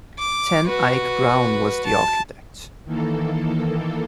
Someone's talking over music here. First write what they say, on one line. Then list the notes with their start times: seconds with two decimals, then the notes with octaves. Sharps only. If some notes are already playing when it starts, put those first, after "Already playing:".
Ten Eyck Brown was the architect.
0.18 D6
0.66 F#4 B4
1.85 A5
2.85 D#3 E3 A#3 A4